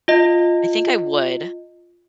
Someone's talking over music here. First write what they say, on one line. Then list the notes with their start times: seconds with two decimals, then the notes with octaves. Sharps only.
I think I would,
0.08 F4 D#5